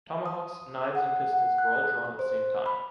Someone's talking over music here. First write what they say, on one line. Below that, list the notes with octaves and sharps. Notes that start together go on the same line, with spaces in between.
Tomahawks, knives and pistols were all drawn at the same time.
D#6
F#5
F#5
F#6
A4
C5
B5